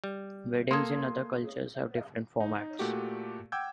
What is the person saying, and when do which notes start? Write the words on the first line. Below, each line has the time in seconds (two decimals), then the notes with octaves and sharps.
Weddings in other cultures have different formats.
0.04 G3
0.71 A#3 A4 C6 D#6 G#6
2.40 D#4
2.79 A#2 A3 F#4 G4
3.52 F#5 G5 D6 E6 G6 G#6